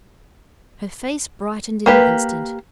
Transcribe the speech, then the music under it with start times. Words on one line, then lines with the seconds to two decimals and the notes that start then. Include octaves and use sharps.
Her face brightened in an instant.
1.86 A#3 G4 B4